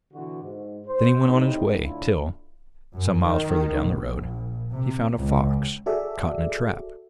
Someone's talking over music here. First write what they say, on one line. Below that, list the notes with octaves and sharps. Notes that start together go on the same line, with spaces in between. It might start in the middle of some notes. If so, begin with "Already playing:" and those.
Then he went on his way till, some miles further down the road, he found a fox caught in a trap.
B2 D3 E3 F#4
G#2
C5
A2 G3 C4 D#4
D2 A2 D3 D4 E4 F4
F#2
D#3
A#1
C3
C#2
F#4 G#4 A4 D5 E5